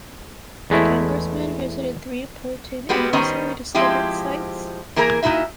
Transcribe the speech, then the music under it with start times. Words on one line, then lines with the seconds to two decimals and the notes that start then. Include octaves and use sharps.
The congressmen visited three important and recently discovered sites.
0.70 E2 G#3 A3 E4
2.89 G3 G#3 B3 F#4 G4
3.13 D#3 G3 B3 C#4 C5 D#5
3.75 F3 G#3 C4 E4 G4
4.96 E3 A#3 G#4 A#4 B4 A#5
5.23 A#2 D#4 E4 F#4 E5